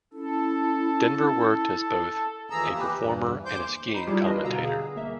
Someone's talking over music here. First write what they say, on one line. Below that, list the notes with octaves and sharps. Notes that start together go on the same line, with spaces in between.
Denver worked as both a performer and a skiing commentator.
C#4 E4 A4
D#2 E3 F3 G#4 A#5 E6
G4 B4
E2 G2 E3
D#2 C5 C6 D6 G6
D#4 B5 C7 E7
G3 E4 F4 G4 G#4
D4 A#4 B4 D#5
B2 D3 F5 A#5 E6
G#4
G1 A#3 E5